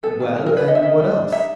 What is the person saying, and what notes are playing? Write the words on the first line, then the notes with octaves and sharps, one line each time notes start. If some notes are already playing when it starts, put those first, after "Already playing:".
"Well--and what else?"
B3 A4
D#3
G3 A#4
A#4
D4 B4
B3 D#5
E5
D#3 D#5
G3
D4
D#4 E5